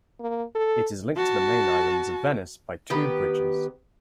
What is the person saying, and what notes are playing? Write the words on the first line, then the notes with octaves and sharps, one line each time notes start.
It is linked to the main islands of Venice by two bridges.
A#3
A4
F#4 A5
D#3 B3 G4 B4